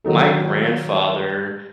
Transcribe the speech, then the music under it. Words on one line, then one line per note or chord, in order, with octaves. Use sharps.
my grandfather
D#3 F#3 D#4 A4